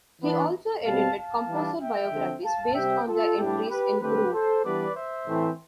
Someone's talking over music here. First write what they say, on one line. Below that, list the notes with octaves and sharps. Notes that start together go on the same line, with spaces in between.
He also edited composer biographies based on the entries in "Grove".
E3 B3 D4
B2 G3 C4 F5 A5
F5 A5
E3 G3 D4
E5 G5
D3 F3 C4
F5 A5
C3 G3 C4 E5 G5
F4 A4
A2 G3 B3 D4 E4 G4
G4 B4
D3 A3 C4 G4 B4
A4 C5
E3 G3 B3 D4 B4 D5
C5 E5
A2 E3 A3 C4